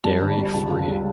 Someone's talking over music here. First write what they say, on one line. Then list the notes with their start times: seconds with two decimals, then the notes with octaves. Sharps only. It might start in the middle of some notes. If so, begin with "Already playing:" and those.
Dairy free.
0.04 G3 A5
0.21 G1
0.38 G3
0.53 C#2 A5
0.71 C#2
0.88 G3